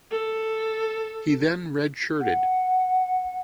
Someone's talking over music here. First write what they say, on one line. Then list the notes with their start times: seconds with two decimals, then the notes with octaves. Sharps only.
He then redshirted.
0.12 A4
2.21 F#5